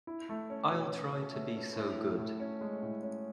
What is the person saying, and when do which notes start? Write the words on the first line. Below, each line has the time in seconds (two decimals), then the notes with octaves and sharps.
I’ll try to be so good.
0.07 E4
0.29 A3
0.50 C#4
0.70 B2
0.92 C#4
1.13 C#4
1.34 A3
1.55 C#4
1.76 A2
1.98 A2
2.18 A2
2.40 C#4
2.61 G#3
2.82 A2
3.03 C#4